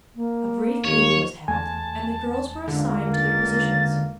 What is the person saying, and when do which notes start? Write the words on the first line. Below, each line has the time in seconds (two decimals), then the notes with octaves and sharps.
A brief meeting was held, and the girls were assigned to their positions.
0.16 A#3
0.85 D#2 C#5
1.48 E2 A3 G#5 A5
2.68 C#2 D3 G#3 A#3
3.14 A6